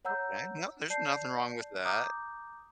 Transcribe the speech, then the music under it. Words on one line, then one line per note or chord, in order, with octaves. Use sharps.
Okay, well there's nothing wrong with that.
C#5 F#5 A#5 E6 G6
D5 A5 G6 C7
A#5 D6 D#6 G6